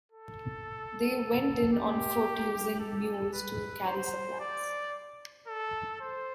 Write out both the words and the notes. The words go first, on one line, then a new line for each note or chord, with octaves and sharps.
They went in on foot using mules to carry supplies.
A4
G4
A4
B4
C5
D5
A4
C5